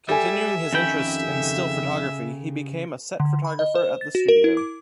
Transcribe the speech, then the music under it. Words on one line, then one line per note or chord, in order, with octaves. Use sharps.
Continuing his interest in still photography he became a set photographer at the studio.
G3 G4 A4 E5 G#5
F2 D#3 C#4 G5 B5
C#3
D3
B5
D#5
C5
A6
F#4
A#4
E4
D6